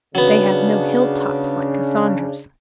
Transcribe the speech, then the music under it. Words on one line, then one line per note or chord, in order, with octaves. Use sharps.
They have no hilltops like Cassandra's.
C#3 F#3 B3 D4